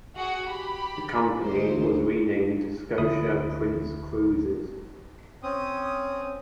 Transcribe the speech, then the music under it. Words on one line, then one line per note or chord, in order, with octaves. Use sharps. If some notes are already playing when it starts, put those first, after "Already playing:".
The company was renamed Scotia Prince Cruises.
F#4 G#4 F#5
G4 B5
D2 D#4 C5
D2 E4 B5 D#6
C4 C#4 D#6